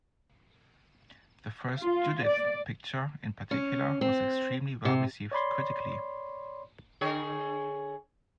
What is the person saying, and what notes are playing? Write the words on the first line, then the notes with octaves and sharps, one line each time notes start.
The first "Judith" picture in particular was extremely well received critically.
F4
D5
C#4
C4
C3
C#5 D5 B5 C6
D3 G#4 C#5